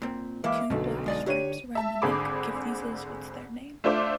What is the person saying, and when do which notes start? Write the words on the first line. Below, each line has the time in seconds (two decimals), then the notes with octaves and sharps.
Two black stripes around the neck give these lizards their name.
0.02 A#2 C4
0.44 E3 G#3 A#3 E5 F5 D6
0.70 B1 F#2 D3 F#3 A3
1.06 G#3 D5 D#5
1.26 D2 D4 G4 C#5 D#7
1.75 E5 A5
2.02 G#1 D3 C4 G#4 B5 D6
3.84 A3 D4 F4 C5 E5 D6